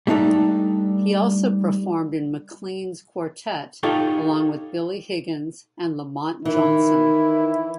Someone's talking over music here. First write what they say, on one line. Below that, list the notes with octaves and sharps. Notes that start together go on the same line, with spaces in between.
He also performed in McLean's quartet, along with Billy Higgins and LaMont Johnson.
G3 A3 D4 D#4 A4
D#4 F4 G4 A4 C#5
D#3 E3 E4